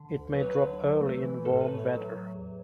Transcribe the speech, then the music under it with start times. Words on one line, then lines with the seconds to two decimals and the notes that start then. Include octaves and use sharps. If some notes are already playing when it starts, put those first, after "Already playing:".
It may drop early in warm weather.
Already playing: D3
0.11 D2
0.33 F#3 B4
0.42 C#5
0.51 B4
0.56 D3
0.79 F#3
1.01 A3
1.23 E3
1.45 A2 A4
1.60 B4
1.68 A2
1.75 C#5
1.90 F#3
2.12 F#3
2.34 E2